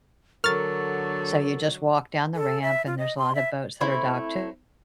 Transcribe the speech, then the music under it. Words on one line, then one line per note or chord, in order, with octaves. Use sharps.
So you just walk down the ramp and there's a lot of boats that are docked to
D3 F#3 A4 A#4 C#6 F6 A6
A4
E5
F4
D#5
C6
E5
A3 C4 E4